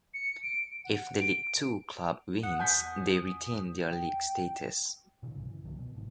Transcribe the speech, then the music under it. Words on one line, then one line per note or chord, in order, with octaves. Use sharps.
If the League Two club wins they retain their league status.
C#7
D7
F#5
D7
E2 F#5 D#6
G#5 G6 B6
G5
B2 D3 E3
B1 G2 C#3
E3
C2 D3 F#3
B2
G#1 A2 D#3